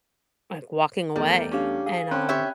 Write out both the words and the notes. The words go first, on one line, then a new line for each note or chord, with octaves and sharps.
Like walking away and, um
E2 G3 A3 A#4
C#4 D4 G4 F5
G#4 F5
C4 C#4 G5 B5 F#6
G4 C#5 E5